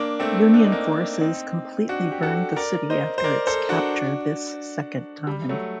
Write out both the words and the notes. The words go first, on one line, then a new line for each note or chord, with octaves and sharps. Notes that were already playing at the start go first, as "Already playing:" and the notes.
Union forces completely burned the city after its capture this second time.
Already playing: A#3 D4
A3 C4
D4
D#4
A#3 D4
C4 D#4
D4 F#4
G4
F#4 A4
A#4 D5
C5 D#5
C5
A#4 D5
A4 C5
D4 F#4
G3
F#3 A3